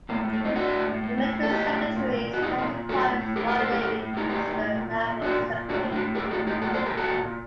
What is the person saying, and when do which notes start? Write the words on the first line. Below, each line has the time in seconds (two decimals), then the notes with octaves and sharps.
The Military Secretary's counterpart in the Royal Navy is the Naval Secretary.
0.09 A2 A#3
0.25 A2
0.33 A3
0.40 A2 C4 D#4
0.56 A2 D4 F#4
0.72 A2
0.88 A2
1.03 A2
1.18 A2
1.33 A2
1.43 A4
1.49 A2 D#4 G4
1.65 A2
1.81 A2
1.96 A#2
2.12 A#2
2.27 A#2
2.34 F#4
2.42 A#2 D#4 G4
2.58 A#2 C4 D#4
2.74 A#2
2.89 A2 F#4 A4
3.05 A2
3.21 A2
3.36 A2 G4 A#4
3.47 G4 A#4
3.51 A2
3.60 A4 C5
3.67 A2 G4 A#4
3.82 A2 G4 A#4
3.99 A2
4.14 A2 D#4 G4
4.29 A2 D#4 G4
4.45 A2
4.60 A2
4.76 A#2
4.91 A#2
5.07 A#2
5.22 A#2 D4 F#4
5.38 A#2
5.53 A#2
5.68 A2 D4 F#4
5.85 A2
5.92 D4 F#4
6.00 A2
6.15 A2 G4 A#4
6.25 G4
6.30 A2 F#4 A4
6.47 A2 D#4 G4
6.62 A#2 F#4 A4
6.74 A4 C5
6.78 A#2
6.85 G4 A#4
6.93 A#2 F#4 A4
7.09 A#2
7.24 A#2